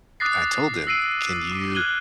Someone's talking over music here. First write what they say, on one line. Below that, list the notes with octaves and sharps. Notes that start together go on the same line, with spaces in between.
I told them, "Can you"
D6 D#6 F#6 A6 A#6 C7
E6 A#6 C7 D7 D#7 F#7
D6
F6 F#6 G#6 D#7 F#7 G7